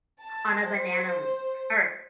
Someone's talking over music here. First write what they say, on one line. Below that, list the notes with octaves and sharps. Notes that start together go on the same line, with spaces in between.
on a banana leaf or
A5
C5